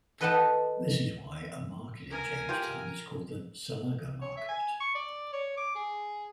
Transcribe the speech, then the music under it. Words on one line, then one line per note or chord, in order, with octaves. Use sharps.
This is why a market in Jamestown is called the "Salaga Market".
A4 B4 D#5 F#5 G5 A5
A#4 G#5
F4 G4 G5
C#5
E5
G#5
C#6
D5
C#5
D6
G#4